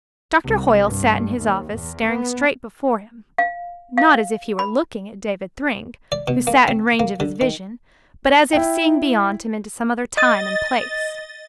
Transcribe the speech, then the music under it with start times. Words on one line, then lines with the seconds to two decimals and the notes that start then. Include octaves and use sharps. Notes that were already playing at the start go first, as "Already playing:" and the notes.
Doctor Hoyle sat in his office staring straight before him, not as if he were looking at David Thryng, who sat in range of his vision, but as if seeing beyond him into some other time and place.
0.46 C2
0.86 G2
1.41 D#2
1.74 E2
2.07 B3
3.38 F5
3.98 F5
4.59 B5
6.12 D5
6.28 B2
6.47 A#3
6.68 C4
7.00 A#3
7.20 D3
7.41 D#3
8.53 E4 G5
10.17 D#5 A6